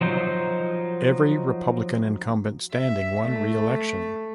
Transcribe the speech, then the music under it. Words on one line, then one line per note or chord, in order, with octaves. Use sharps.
Every Republican incumbent standing won re-election.
F3 F#3 D#4 C5
E5
A3